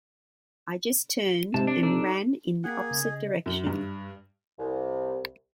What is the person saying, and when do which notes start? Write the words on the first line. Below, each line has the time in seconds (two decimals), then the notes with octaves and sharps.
I just turned and ran in the opposite direction.
1.54 G#2 C3 A5
1.67 D4
1.83 D4 D#4 A4
2.64 A#3 G#4 F#5 G5
2.91 C#3
3.04 D#5
3.46 F#2
3.67 G2
4.58 C2